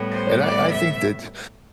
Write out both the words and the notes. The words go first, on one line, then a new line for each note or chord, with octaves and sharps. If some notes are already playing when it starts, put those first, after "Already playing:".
and I I think that
Already playing: A2 G3 B3
C5
D5
E5